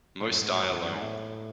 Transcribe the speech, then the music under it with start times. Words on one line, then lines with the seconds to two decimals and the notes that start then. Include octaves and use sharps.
Most die alone.
0.21 A2
0.31 F#2
0.42 G#2
0.51 A2
0.61 F#2
0.71 E2
0.82 F#2
0.91 G#2
1.01 A2